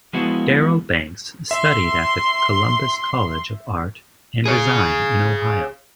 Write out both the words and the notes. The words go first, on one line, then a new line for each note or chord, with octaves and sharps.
Darryl Banks studied at the Columbus College of Art and Design in Ohio.
F3 G#3 B3 E4 F#4
E5 C6
G#4 C#5